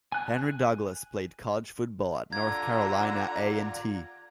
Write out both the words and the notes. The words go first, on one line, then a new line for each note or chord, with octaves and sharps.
Henry Douglas played college football at North Carolina A and T.
G#5 F#6
D3 F4 D5 F#5 A#5 G#6